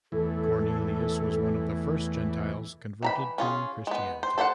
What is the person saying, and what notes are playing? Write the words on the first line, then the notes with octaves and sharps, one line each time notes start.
Cornelius was one of the first Gentiles converted to Christianity.
E2 A2 E3 A4
E3 A#5 B5
C#4 F4 G#4
G#3 B3
C5
A4 C5 E5 F#5